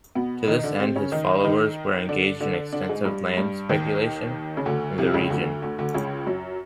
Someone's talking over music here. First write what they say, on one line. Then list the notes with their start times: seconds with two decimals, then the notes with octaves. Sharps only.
To this end, his followers were engaged in extensive land speculation in the region.
0.15 B2 B3
0.47 D#3 D#4
0.59 D#4
0.64 D3 D4
0.80 C3 C4
0.96 C#3 C#4
1.12 D#3 D#4
1.44 D#3 D#4
2.09 D3 D4
2.40 D3 D4
2.73 D3 D4
2.89 G#2 G#3
3.05 G2 G3
3.37 G2 G3
3.69 D#2 D#3
4.57 C#3
4.66 D2 D3
4.98 C2 C3
5.14 C#2 C#3
5.30 D2 D3
5.62 D2 D3
5.78 D2 D3
5.94 C#2 C#3
6.27 F#2 F#3